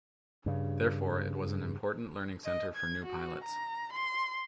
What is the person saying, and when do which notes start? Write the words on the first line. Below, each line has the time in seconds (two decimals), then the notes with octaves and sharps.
Therefore, it was an important learning centre for new pilots.
0.46 G2 C#3
2.45 D#5
2.76 G#6
3.06 F#4
3.44 A#5
3.93 C6